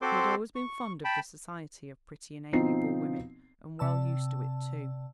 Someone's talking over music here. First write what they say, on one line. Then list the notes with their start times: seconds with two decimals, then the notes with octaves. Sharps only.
He had always been fond of the society of pretty and amiable women, and well used to it, too.
0.02 C4 F#4 A4 C5 C6 D6
0.55 C#6
1.04 G5 A5 B5
2.52 B2 F3 C4 D#4 C7
3.79 C3 D5 A5 E6